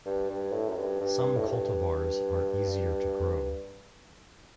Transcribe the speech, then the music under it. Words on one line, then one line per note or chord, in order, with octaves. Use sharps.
Some cultivars are easier to grow.
G2
G2
A2
F#2
G2
G2
A2
G2